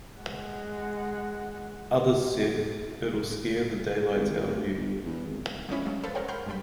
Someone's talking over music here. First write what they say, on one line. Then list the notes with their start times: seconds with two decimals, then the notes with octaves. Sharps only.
Others said, "It'll scare the daylights out of you".
0.20 G#3 F#5
4.16 G#1
4.45 D2
4.77 G1
5.05 E2
5.26 G#1
5.69 F3 G#3 A3 C#4 E4
5.84 F#3 G#3 F5
6.04 A4 B4 C5 F5
6.15 G#3 A#4 C5 C#5 F#5 G5
6.28 A#4 F#5 B5 C6 F6 G6
6.46 G2 F#3 G3 G5 B5